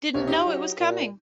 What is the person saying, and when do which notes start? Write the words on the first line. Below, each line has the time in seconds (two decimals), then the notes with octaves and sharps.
Didn't know it was coming.
0.14 B1 C3 A#3 C#5
0.27 D#4 E4 G4
0.46 F#3
0.80 A#2